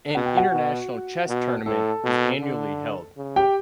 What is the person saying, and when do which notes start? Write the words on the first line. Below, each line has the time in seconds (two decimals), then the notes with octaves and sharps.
An international chess tournament is annually held.
0.15 B2 F#5
0.26 G5
0.37 F#4 F#5
0.53 B2
1.28 B2
1.66 A2 A4 A5
2.04 B2
2.42 D3
3.17 C#3
3.36 G4 G5